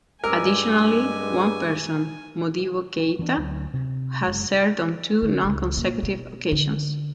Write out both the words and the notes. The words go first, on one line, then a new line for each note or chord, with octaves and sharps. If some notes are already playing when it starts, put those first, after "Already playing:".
Additionally, one person, Modibo Keita, has served on two non-consecutive occasions.
G2 G#3 A#4 G#5 D6 E6
E3 B3 C4 D4
D2 F#3
C3
F#1 G#3
D3
C#2
A#2
B2
D3